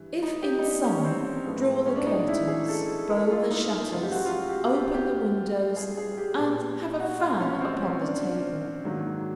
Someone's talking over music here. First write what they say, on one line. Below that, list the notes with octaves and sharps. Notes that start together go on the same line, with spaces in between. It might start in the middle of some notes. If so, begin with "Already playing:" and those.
If in summer, draw the curtains, bow the shutters, open the windows, and have a fan upon the table.
Already playing: G2 E3 G3
D#4
G4
D#4
D4
C#4
C4
A2 F3 G#3 B3
C#4
D4
D#4
E4
G#4
A4
A#4
F4
D#4
F#2 C#3 F#3 F4
G4
F#4
F4
F#4
G4
F#4
G4
G4
G#4
G#4
G4
A#2 G3 B3
F#4
F4
C#4
C4
C#4
D4
G#2 D#3 F#3 A#3